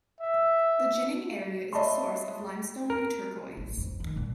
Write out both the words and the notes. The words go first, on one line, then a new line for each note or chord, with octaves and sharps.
The Jining area is a source of limestone and turquoise.
E5
C#5 D#5 E5 A5 B5 C6
A#4
A1
F2
D#3
A#2